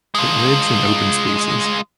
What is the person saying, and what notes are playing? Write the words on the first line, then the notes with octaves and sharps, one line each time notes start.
It lives in open spaces.
G#3 F4